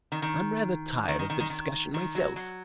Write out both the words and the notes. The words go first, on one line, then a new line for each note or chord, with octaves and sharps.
"I'm rather tired of the discussion myself."
D#3
D#3
D#3
D#3
D#3
D#3
D#3
D#3
F#3
F#3